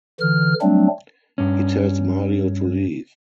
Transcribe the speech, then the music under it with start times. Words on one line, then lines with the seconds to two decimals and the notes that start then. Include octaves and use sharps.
He tells Mario to leave.
0.21 D3 E3 F6
0.61 F#3 G3 A3 C4 D4
1.38 G2 C#4